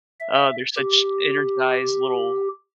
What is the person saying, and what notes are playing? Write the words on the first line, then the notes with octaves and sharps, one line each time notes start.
Oh, they're such energized little
E5
G4